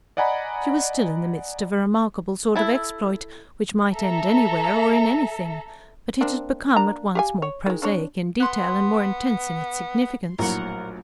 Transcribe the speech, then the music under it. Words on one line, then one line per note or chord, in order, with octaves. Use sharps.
She was still in the midst of a remarkable sort of exploit, which might end anywhere or in anything, but it had become at once more prosaic in detail and more intense in its significance.
D5 D#5 F#5 G#5 A#5 B5
E4 A4
A4 E5 A#5
A#3 C4 D4
A#3 D4 A#5
G4 F5 G#5
C#5
D#3 G#3
C4 D4 C#5
B3 C6 F#6
A#1 A2 F#3 A#4 F#5